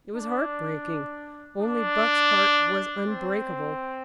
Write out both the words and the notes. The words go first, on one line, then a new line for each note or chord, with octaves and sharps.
It was heartbreaking, only Buck's heart was unbreakable.
D4
D4
C4